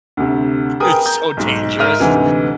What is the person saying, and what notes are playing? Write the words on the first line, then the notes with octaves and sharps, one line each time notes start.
It's so dangerous.
D2 C3
G#4 A#4 B4 G5 D#6
A#5 G6
B1 G#2
G#2 A#4 E5 F6 D#7
D2 G#2 C3 E3